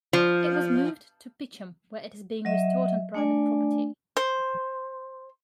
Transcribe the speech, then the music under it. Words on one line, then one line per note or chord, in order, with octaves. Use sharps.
It was moved to Peacham where it is being restored on private property.
F3
F#3 D#5 E5
A3 D4 D5 G#5
C5